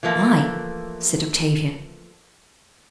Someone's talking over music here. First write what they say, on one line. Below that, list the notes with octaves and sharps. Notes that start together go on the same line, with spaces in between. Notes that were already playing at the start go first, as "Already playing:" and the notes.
"Why?" said Octavia.
E3 F3 A3 A#3